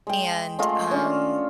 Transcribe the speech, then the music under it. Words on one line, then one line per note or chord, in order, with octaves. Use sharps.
and, um,
G#3 G5
G#3 A3 F4 D#5
C#4 D4